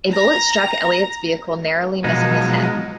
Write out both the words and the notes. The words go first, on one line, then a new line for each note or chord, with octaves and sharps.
A bullet struck Elliott's vehicle, narrowly missing his head.
A#5
B2 F3 F#3 G#3 D#4